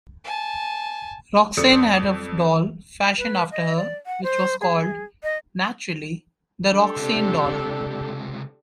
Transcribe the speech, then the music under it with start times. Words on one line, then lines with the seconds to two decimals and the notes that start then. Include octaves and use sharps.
Roxanne had a doll fashioned after her which was called, naturally, "The Roxanne Doll".
0.24 G#5 A5
1.57 F2 A4 D5 D#6 C#7
3.18 B4
3.51 D#5
3.77 D5
4.06 F#5
4.23 C5
4.61 G#4
5.23 D#5
6.65 D4 G4 A4
6.97 C#2 C3